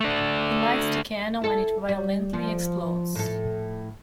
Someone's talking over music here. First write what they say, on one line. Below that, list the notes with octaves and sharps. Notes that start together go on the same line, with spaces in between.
He lights the cannon and it violently explodes.
A3 D4
E4 A4
G3
F3
A2 A4